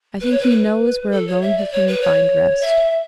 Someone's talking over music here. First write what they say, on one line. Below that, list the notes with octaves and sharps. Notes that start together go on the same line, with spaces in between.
I think he knows where alone he can find rest.
B4
C#5
B4
B4
A4
C#5
E5
D5
C#5
B4
C#5
E5